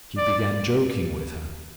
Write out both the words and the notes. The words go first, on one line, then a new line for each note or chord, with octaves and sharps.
He began joking with her.
D5